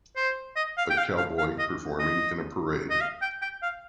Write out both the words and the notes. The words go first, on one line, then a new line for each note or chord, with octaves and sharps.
A cowboy performing in a parade.
C5
D#5
F5
G5
F5
F5
F5
D#5
D#5
D#5
F5
G5
G5
F5